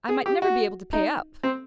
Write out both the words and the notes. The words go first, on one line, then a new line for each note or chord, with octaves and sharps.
"I might never be able to pay up!"
G#4
G4
F#4
D#4
C4